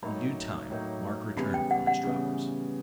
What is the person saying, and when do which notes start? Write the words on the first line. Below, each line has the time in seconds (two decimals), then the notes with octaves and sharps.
In due time, Mark returned from his travels.
0.02 A2 F#3 A#3 D#4 B5
0.70 A2 F#3 A#3 D#4
1.36 C#3 E3 G3 B3 B5
1.54 G5
1.71 F#5
1.87 F#5
2.04 C#3 E3 G3 B3